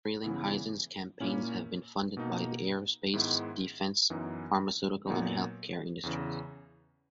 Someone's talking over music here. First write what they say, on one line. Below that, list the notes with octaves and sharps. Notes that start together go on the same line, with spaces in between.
Frelinghuysen's campaigns have been funded by the aerospace, defense, pharmaceutical and health care industries.
C#3 E3 B3 E4
A#2 A#3 C#4 E4
B2 A#3 D#4
G#2 D#3 G#3 B3 E4
F#2 E3 B3 D#4
A#2 F#3 B3 D#4
E2 C#3 E3